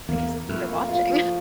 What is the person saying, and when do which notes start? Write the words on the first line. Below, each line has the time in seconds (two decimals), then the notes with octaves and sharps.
Because they're watching.
0.09 E2 A#3
0.29 A#3
0.49 F2 A2
0.69 A#3
0.89 F4
1.09 F3